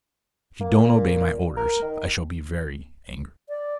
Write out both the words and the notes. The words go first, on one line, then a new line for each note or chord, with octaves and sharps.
If you don't obey my orders I shall be very angry.'
A#3
A#2
A#4
D#3
D5